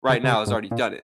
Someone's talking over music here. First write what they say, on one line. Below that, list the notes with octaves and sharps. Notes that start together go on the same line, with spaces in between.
right now has already done it.
C#3
C#3
C3
G#2
A#2